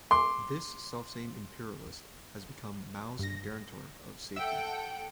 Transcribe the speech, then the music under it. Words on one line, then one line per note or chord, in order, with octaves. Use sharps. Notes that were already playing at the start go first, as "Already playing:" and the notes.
This selfsame imperialist has become Mao's guarantor of safety.
C6 D6
G2 A#6
A4 E5 F#5 G5 E6